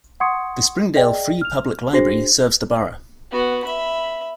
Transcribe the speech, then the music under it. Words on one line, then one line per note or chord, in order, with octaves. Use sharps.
The Springdale Free Public Library serves the borough.
F#5 C6 C#6 D#6 G#6 C#7
G#4 D5 D#5 G5
F6 F7
D4 F#4 G#4 C5 A#6 C7
B3 F#4
E5 B5